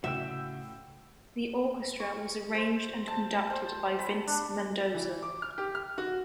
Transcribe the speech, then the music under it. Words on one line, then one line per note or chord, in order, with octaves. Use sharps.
The orchestra was arranged and conducted by Vince Mendoza.
A2 C#3 F#4 E5 G5 E6
C#6
C5
A5
C5
B5
D4
E3
D6
F6
G4
F6
F#4